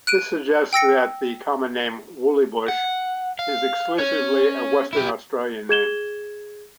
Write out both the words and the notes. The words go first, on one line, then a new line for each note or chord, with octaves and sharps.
This suggests that the common name "woollybush" is exclusively a Western Australian name.
F#6 D7 D#7
G5 E6 A#6 C#7
F#5
F5
C#4 C#5
E4 G4
G#4 G#6 E7 G7